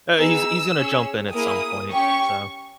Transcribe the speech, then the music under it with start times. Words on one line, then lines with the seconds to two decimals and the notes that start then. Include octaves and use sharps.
uh he's he's gonna jump in at some point, so
0.18 B3 D#4 G#4 E6
0.76 C#4 G#4
1.34 A#3 E4 G#4 D#6
1.91 C#4 G4 C#6